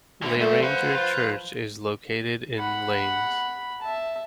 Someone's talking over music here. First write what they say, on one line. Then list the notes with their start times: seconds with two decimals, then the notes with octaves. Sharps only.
Leiranger Church is located in Leines.
0.22 D2 D3
0.40 G3 A3 C5
0.63 F3 B4 C5 F#5 C6
0.94 F4
2.58 F#5 B5
3.82 E5 A5